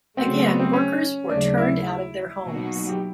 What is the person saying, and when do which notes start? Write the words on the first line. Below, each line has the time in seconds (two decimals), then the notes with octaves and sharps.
Again workers were turned out of their homes.
0.17 C#3 F#3 A3 C4 D4 F#4
0.46 B3
0.59 C4
0.73 C#4
1.29 D#2 C#3 F#3 A3 D4
1.58 E4
2.42 B2 F#3 A#3 D#4 F#4
2.89 G4